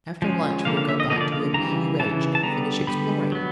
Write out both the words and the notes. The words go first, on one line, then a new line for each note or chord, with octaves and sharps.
After lunch we'll go back to the B. U. H. and finish exploring.
F3 G#3 C#4
D3 F3 A#3 F5
F5
E5
D#5
D3 F3 A#3 D#5
D5
F5
C#3 E3 G3 A#5
C#3 E3 G3 A5
A5
D3 G3 B3 A#5
D3 G3 B3 B5
F#3 B3